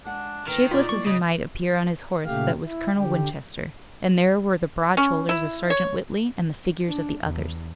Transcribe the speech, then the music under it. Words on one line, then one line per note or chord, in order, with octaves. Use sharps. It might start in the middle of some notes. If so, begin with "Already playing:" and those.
Shapeless as he might appear on his horse that was Colonel Winchester, and there were the broad shoulders of Sergeant Whitley and the figures of the others.
G#3 D4 F#5
D2 D#3 A#4 B4 G5
A#2 F4 F#4 D5
G#3 A#3 E4 C#6
C#3 F#3 D#5
A#2 C#3 A3 G4 F5
E4
D3 G4
C#4
E4
C#5
D4
E2